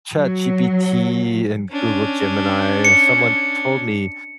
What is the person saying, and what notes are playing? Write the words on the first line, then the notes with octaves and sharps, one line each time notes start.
ChatGPT and Google Gemini, someone told me
F#3
C#4 D4
C#7